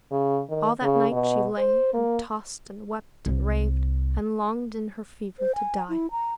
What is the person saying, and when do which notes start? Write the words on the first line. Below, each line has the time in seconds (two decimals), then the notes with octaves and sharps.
All that night she lay and tossed and wept and raved, and longed in her fever to die.
0.12 C#3
0.50 D#3
0.82 C#3
1.12 B2
1.58 C5
1.94 A#3
3.26 C2
5.39 C5
5.55 G#5
5.89 E4
6.11 A#5